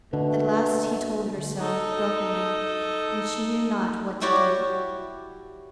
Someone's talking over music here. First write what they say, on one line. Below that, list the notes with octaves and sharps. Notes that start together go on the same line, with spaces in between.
At last he told her so, brokenly, and she knew not what to do.
B2 D3 A3
D#4 A4
E4 F#4 G4 C#5 D5